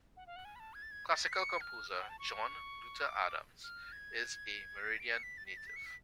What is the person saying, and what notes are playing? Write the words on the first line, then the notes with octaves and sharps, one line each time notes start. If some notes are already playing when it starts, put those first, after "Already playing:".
Classical composer John Luther Adams is a Meridian native.
F#5
F5
F#5
G#5
B5
A5
G#6
A6
G#6
A6
B6
C#7
F6
F6
F#5
A5
C#6
D6
F6
G#6
A6
D7
C#7
B6
A6
B6
A6
B6
C#7
B6